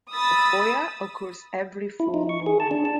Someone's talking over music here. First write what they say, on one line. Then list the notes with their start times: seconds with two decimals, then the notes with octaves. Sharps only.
A Poya occurs every full moon.
0.14 B5 D#6 E6 A6
2.00 E4
2.14 D#4
2.29 C#6
2.46 G#4
2.60 A5
2.71 D4
2.85 A5